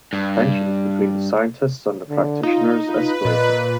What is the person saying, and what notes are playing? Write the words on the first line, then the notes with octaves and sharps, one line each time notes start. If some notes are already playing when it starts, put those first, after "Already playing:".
Tensions between the scientists and the practitioners escalated.
G2
D3
D#4 F4
F4 B4
A#2 D#5